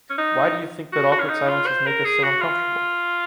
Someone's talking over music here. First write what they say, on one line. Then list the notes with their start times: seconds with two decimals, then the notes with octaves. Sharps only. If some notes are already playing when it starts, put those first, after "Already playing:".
Why do you think that awkward silences make us so uncomfortable?
0.10 C#4
0.18 D#4
0.93 F#4
1.12 F#4
1.20 C#4
1.29 D#4
1.48 F4
1.67 C5
1.87 A#4
2.05 G#4
2.23 F#4
2.42 F4